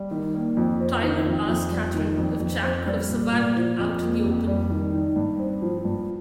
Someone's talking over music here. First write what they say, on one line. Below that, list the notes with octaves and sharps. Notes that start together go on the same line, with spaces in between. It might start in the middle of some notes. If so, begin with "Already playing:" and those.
Tyler asks Katheryn if Jack could have survived out in the open.
Already playing: G3
D#3
A#3
F2
C4
D#3
F2
F2
G3
D#3
F2
F2
C4
G3
A#2
A#2
F3
F2
A#3
F1
G3
D#3
D#4
G2
C4
F3
G2